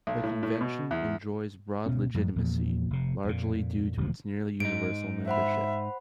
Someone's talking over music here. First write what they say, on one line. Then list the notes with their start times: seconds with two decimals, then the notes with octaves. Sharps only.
The convention enjoys broad legitimacy, largely due to its nearly universal membership.
0.07 B1
0.23 A2
0.43 A2
0.61 B2
0.91 E2
1.86 D2 B2 C#4
2.14 F#2 A2 F3 G3
2.36 E2 A#2 F3
2.90 F1 C3
3.24 F2 A#2
3.97 E1 D2 A#2 F3
4.60 G#2 D#4 D7
5.28 C5 E5 F#5 B5